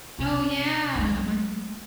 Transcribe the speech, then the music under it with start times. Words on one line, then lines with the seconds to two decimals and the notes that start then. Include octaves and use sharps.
Oh, yeah, m
0.18 C3 C4
0.95 F#3 G#3